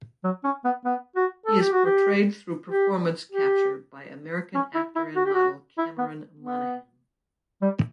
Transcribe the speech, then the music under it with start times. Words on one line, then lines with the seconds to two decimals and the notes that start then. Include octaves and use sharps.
He is portrayed through performance capture by American actor and model Cameron Monaghan.
0.24 F#3
0.44 C#4
0.65 B3
0.85 B3
1.16 F#4
1.46 A4
1.60 G4
1.72 F#4
1.86 G4
2.70 G4
3.32 G4
4.55 C#4
4.75 E4
4.96 E4
5.16 F#4
5.25 G4
5.34 F#4
5.78 E4
5.98 B3
6.39 B3
7.62 G3